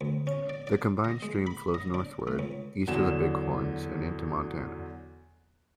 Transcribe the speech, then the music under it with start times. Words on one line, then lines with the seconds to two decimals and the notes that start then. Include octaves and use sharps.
The combined stream flows northward, east of the Bighorns, and into Montana.
0.01 D2
0.27 C#4
0.49 D5
0.67 D5
1.05 D#5
1.23 G#3
1.47 B5
1.74 D#5
1.94 D4
2.27 A3
2.39 C#2
2.87 E2 D3 F#3 E7